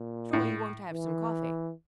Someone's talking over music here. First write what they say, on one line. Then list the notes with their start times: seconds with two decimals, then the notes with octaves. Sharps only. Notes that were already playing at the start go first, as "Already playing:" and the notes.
"Sure you won't have some coffee?"
Already playing: A#2
0.33 A2
0.91 E3